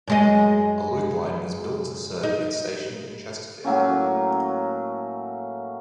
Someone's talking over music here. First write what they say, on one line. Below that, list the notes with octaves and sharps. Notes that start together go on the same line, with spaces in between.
A loop line was built to serve its station in Chesterfield.
F#2 G#3 D#5
D#4
A2 F#3 A#3 C#4